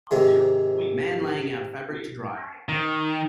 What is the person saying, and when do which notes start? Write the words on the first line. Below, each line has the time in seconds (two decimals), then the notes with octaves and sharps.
Man laying out fabric to dry.
0.11 G#2 C3 D#3 G#3
2.69 D#3